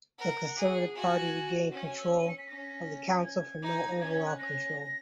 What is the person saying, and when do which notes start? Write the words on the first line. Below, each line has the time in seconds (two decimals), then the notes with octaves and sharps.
The Conservative Party regained control of the council from no overall control.
0.19 A#4 F#5
0.42 F#5
0.57 G#4
0.95 F#4 G#5
1.71 C#4 F#5
1.84 G#5
1.97 E6
2.19 D#7
2.28 C#7
2.38 B6
2.48 C#4 A#6
3.24 G#6
3.62 D#4
3.92 A#6
4.01 C#4 G#6
4.13 G#6
4.26 F#6
4.39 C#4 A#6